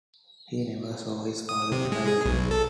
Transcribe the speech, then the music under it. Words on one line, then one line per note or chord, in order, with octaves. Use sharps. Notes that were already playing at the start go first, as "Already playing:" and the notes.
He never saw his father alive again.
D#6
C3
G#3
G#4
B1
A4